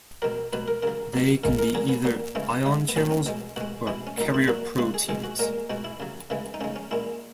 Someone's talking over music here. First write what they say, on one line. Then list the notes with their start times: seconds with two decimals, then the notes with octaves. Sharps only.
They can be either ion channels or carrier proteins.
0.22 B2 F#3 A#4
0.53 B2 F#3 B4
0.68 A#4
0.82 C#3 F#3 A#4
1.14 B2 F#3
1.44 C#3 G#3 A#4
1.59 A#4
1.74 A#2 F#3 G#4
1.89 B3
2.05 A#2 F#3
2.35 C#3 E3 G#3 C#4
2.66 C#3 G#3
2.89 B3
2.96 A#2 F#3 C#4
3.11 C#4
3.26 B2 G#3
3.56 B2 G#3 F#4
3.87 B2 G#3 E4
4.07 C#4
4.18 A#2 F#3 D#4
4.34 E4
4.48 A#2 F#3 F#4
4.78 C#3 G#3 F#4
4.94 G#4
5.09 B2 G#3 G#4
5.24 F#4
5.39 A#2 G#3 A#4
5.70 B2 G#3 F#4
5.84 E4
6.00 C#3 F#3
6.30 C#3 E3 G#3
6.54 D#4
6.61 C#3 G#3 C#4
6.76 C#4
6.91 A#2 G#3 E4